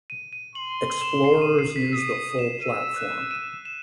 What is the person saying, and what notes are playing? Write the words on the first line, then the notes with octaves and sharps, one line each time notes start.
Xplorers use the full platform.
D#7
D#7
C6 F#7
E7
C7
D#7
C7
B6
D#6 B6
E7
E6 D#7
F#6
D#7
E7